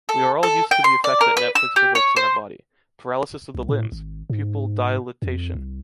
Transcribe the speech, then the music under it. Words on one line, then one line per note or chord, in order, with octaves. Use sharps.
We are all used to the effect that Netflix provokes in our body: paralysis of the limbs, pupil dilatation.
A4
A4
G5
C6
D5
A#4
B4
E6
G4
C#5
C5
C2
A2
G#1
G#2
F2
C2